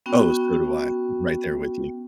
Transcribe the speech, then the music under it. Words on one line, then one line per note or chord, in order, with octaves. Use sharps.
Oh, so do I, right there with you.
B3 C#4 F#4 G5